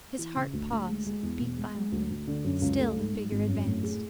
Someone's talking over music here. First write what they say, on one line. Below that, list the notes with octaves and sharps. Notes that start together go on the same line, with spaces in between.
His heart paused--it beat violently--still the figure advanced.
E3
C#3
D2
D2
G#3
G#3
E2
E1
G#3
G#3
D2
D2
D3
F#2
C#2
A3
G#2
G#2
G#1
F#2
A2
G#4